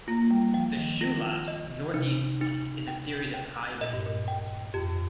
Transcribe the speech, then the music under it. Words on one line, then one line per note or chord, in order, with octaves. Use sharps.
The Shulaps' northeast flank is a series of high basins.
A#3 F4
G3
F3 G5
D#3
F4
D#5
C3 D#4
D#4
G5
G5
A#2 D#5
G2
A#2
G5
F2 G4